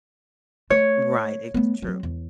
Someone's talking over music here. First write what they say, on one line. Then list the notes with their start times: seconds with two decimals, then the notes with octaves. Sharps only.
Right, it's true.
0.70 A3 C#5
1.54 A3 B3
1.82 F#3 C4
2.03 E2